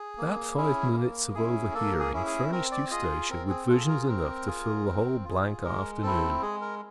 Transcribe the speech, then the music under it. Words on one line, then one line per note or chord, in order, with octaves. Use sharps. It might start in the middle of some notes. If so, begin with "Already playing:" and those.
That five minutes of overhearing furnished Eustacia with visions enough to fill the whole blank afternoon.
Already playing: G#4
A#3
C#4 E4 G#4
A#3
C#4 E4 G#4
A#3 A4
G#4
C#4 E4 G#4
G#4
C4 A#4
D5
F4 G#4 D#5
C4 A#4
G#4
F4 G#4 A4
A#4
C4 A#4
F4 G#4
C4
F4 G#4
G#3 A#4
C4 E4 A4
G#3 G#4
A#4